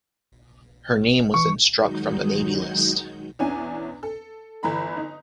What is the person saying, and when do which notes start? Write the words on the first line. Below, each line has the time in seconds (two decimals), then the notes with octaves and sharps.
Her name was then struck from the Navy list.
1.34 E3 C#6
1.80 D#3 F#3 G#3 D#4 F#4 G6
3.39 E2 C#4 D4 E4 G#5
4.03 A4
4.63 G1 E3 A#5 B5
4.97 D#4